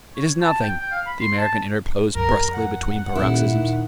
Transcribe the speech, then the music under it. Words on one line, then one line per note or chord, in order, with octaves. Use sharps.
"It is nothing!" the American interposed brusquely between paroxysms.
C#5
A5
G5
G5
F5
B5
C6
A5
F2 A#4
F#5
D#1 D#2 A#2 E4
D#3